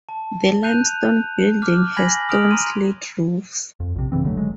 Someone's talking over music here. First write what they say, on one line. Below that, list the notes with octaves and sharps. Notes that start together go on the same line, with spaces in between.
The limestone building has stone slate roofs.
A5
F#6 G6 D#7 F7
D6 F6
G#5 B5 G#6 A#6 B6 F#7
D#6 F6 D7 F7 F#7
A#5 C6 D#7
F2
A#1 C3
G2 C#3 E3 C4
C2 D3 F#3 A3
F#1 F#3 G#3